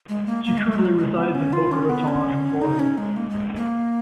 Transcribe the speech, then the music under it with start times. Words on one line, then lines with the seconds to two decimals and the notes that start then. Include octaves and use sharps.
She currently resides in Boca Raton, Florida.
0.09 G#3
0.26 A#3
0.44 A#3
0.58 G#3
0.71 G#3
0.85 F#3
0.98 G#3
1.17 B3
1.35 C#4
1.53 F4
1.71 C#4
1.89 B3
2.08 C#4
2.61 D#4
2.79 C#4
2.98 G#3
3.16 A#3
3.30 G#3
3.56 A#3